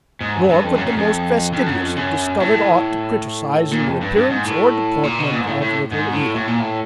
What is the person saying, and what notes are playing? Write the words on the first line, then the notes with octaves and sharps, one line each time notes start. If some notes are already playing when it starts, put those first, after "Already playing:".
Nor could the most fastidious have discovered aught to criticize in the appearance or deportment of Little Eva.
G#2
F#2
G2
F2
F#2
F#2
F2
F2
F#2
F2
F#2
A2
A#2
F2
G2
G2
G#2
A2
A#2
B2
A#2
G#2
A2
A2
G#2
A2
A2
A#2
A2